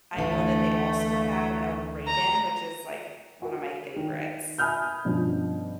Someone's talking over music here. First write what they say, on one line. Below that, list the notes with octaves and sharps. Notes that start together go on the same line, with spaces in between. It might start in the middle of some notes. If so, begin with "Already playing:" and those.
I know that they also have a raven, which is, like, one of my favorites.
D2 E3 A3 D4
A#5
F#4 A#4
D#3
E5 G#5 B5 D#6 F6 G6
G2 B2 F3 C#4